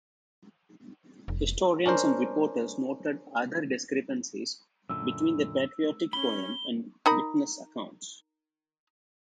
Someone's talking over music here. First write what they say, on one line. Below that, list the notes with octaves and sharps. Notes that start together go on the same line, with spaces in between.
Historians and reporters noted other discrepancies between the patriotic poem and witness accounts.
F1
C#4 D4 A#4 C5
F#2 A#2 D3 E6
C#4 B5 G7
D#4 A#4 B5